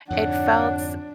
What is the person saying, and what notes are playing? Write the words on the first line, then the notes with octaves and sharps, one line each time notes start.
it felt
F2 G#2 D3 D4 C#5 F#5